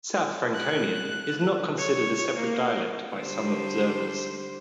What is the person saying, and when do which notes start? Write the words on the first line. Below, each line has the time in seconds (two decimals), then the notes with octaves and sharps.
South Franconian is not considered a separate dialect by some observers.
0.54 F#6
1.78 C#5
2.36 A#3
3.13 D3 G3 C5